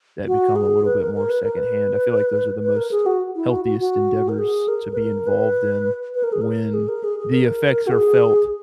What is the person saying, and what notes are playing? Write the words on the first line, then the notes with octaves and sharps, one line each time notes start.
that become a little bit more secondhand, I feel like those are the most healthiest endeavors to be involved in, when the effects are felt
F#4
G#4
B4
A#4
A#4
B4
A#4
B4
B4
A#4
G#4
F#4
E4
F#4
F#4
F#4
A#4
G#4
A#4
B4
A#4
B4
B4
A#4
G#4
A#4
G#4
A#4
G#4
G#4
A#4
F#4
G#4